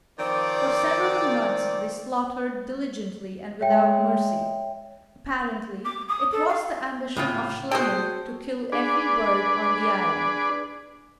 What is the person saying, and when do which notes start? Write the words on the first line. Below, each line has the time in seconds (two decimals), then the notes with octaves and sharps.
For several months they slaughtered diligently and without mercy. Apparently it was the ambition of Schlemmer to kill every bird on the island.
0.19 D#3 F3 C4 D5
3.61 G#3 C#5 E5 G5
5.85 D6
6.09 D#6
6.32 A4
6.49 F5
7.17 A2 C#3 F4
7.71 F#4 G#4 A4 C5 G5
8.72 D4 G#4 B4 D5